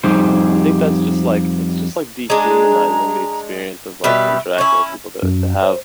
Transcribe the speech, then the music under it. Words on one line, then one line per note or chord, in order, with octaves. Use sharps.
I think that's just, like it's just, like, dehumanizing the experience of, like, interacting with people to to have
F2 G3 D#4 G4 G#4 C5
G#3 D4 A#5
B2 G3 B4 E5
C#4 E4 C#6
F#2
C5